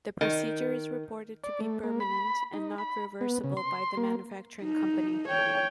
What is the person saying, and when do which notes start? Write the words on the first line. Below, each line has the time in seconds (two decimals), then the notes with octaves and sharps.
The procedure is reported to be permanent and not reversible by the manufacturing company.
0.21 D#3
1.44 D5
1.61 A3
1.83 A#3
2.00 B5
2.54 D#4
2.78 B5
3.21 B3
3.44 C#3
3.57 C6
3.97 A#3
4.63 D#4
5.28 C#5 G5